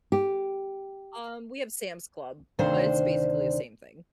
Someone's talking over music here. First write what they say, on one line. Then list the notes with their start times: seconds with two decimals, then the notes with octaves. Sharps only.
Um, we have Sam's Club, but it's basically the same thing.
0.12 G4
2.59 D2 C3 D#3 D4 C5 F5